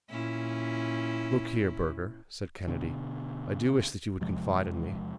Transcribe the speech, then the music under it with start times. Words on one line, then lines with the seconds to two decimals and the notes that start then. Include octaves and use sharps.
"Look here, Burger," said Kennedy, "I do wish that you would confide in me."
0.10 A#2 C#4 E4
2.68 B2 D3
4.21 E2 C3 F3 G#3